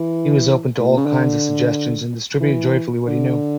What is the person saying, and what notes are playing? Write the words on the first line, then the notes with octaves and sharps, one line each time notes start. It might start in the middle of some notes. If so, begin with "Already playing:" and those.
He was open to all kinds of suggestions, and distributed joyfully what he knew.
Already playing: E3
A2
A#2
C#3
D3
E3
D3